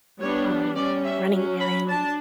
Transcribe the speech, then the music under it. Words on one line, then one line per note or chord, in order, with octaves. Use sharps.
Um, running errands
G3 B3 D4 C#5
G3 C#4 D5
E5
F#3 C#4
B5
D4 A5